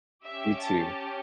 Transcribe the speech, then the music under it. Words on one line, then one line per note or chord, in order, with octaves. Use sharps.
You, too.
C#4 G4 E5
A5